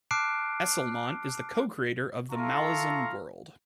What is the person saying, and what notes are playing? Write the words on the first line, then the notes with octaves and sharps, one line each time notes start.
Esslemont is the co-creator of the Malazan world.
A5 D6 F6 F#6 C7 D7
E4 F4 A4 F5 A#5 C#6